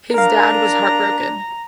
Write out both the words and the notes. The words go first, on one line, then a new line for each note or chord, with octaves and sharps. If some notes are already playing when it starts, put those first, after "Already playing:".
His dad was heartbroken.
D4 A#4 F5 A#5